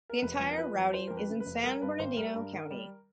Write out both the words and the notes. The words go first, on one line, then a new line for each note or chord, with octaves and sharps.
The entire routing is in San Bernardino County.
A#4
F1 B4
F2
A#4
F3 B4
F2
F3 C5
F2 A#4
B4
C#3
B4
F1
G3 A#4
G2 B4
G#1 C5
G3 A#4
G2
D#3
G3